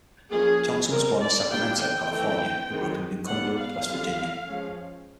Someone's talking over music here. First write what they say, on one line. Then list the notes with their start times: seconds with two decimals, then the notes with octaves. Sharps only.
Johnston was born in Sacramento, California, and grew up in New Cumberland, West Virginia.
0.31 F3 A#3 C#4 G#4
0.90 G3 C4 A#4
1.20 D5
1.49 G3 A#3 D4 G5
1.79 G5
2.09 E3 A3 C4
2.68 D#3 G#3 C4
3.27 G3 B3 D4 F#5
3.58 F5
3.87 D3 G3 C4
4.46 F3 G#3 C#4